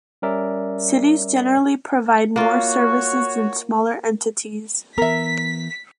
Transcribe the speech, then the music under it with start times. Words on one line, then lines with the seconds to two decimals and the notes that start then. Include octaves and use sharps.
Cities generally provide more services than smaller entities.
0.22 G3 C#4 A#4 D5 E5
2.36 A#3 F4 F#4 C#5
4.98 E3 B3 A#4 E5 B6